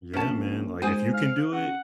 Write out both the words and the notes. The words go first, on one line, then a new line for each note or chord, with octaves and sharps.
Yeah, man. Like, if you can do it
A#1 C#4 A5
G#2 G#4 C5 G#5
F5
C#3 F#5